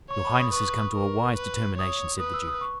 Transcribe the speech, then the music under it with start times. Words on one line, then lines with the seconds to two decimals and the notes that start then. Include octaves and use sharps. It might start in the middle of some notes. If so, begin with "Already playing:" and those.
"Your highness has come to a wise determination," said the duke.
0.11 C#5 C#6
0.25 B5
0.40 D#6
0.53 B4 C#6
0.95 A#4
1.36 B4
1.78 C#5 D#6
2.20 B4 D#6
2.33 E6
2.48 D#6
2.61 C#6